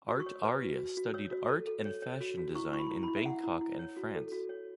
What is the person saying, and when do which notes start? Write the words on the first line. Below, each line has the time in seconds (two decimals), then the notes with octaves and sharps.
Art Arya studied art and fashion design in Bangkok and France.
0.08 F#4 E6
0.20 C#6
0.26 C#5
0.44 B4
0.62 F#4
0.78 F#4
0.97 F#4
1.14 C#5 E6
1.31 F#4
1.49 A4
1.67 A4
1.85 C#5
2.02 C#5
2.21 F#4
2.38 F#4
2.55 E4 C#6
2.73 E4 C#6
2.79 B5
2.91 E4
3.03 B5
3.08 E4
3.17 E5
3.26 E4 F#5
3.43 E4
3.61 E4
3.79 C#5
3.97 F#4
4.15 A4
4.32 F#4
4.49 C#5